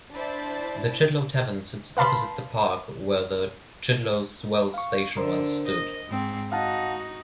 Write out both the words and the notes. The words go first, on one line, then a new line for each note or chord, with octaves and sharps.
The Chidlow Tavern sits opposite the park where the Chidlow's Wells Station once stood.
D4 E4 C5 D5 A5
B4 F5 A5 B5 C6
F5 C#6
D3 A#4 C5
D#5
G#2 C4
D#4 F#4 F5 F#5 A5